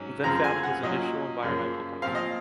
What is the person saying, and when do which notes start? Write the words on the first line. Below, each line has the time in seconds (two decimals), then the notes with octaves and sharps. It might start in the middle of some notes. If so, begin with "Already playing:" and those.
He then founded his initial environmental company.
Already playing: G#2 F#3 C#4
0.24 F#2 C#3 F3 C4 A#5
0.44 G#5
0.63 F#5
0.83 A#2 F#3 C#4 D#5
1.43 F#2 C#3 F3 A#3 C#4
2.02 A#2 F3 C4 F5
2.15 D#5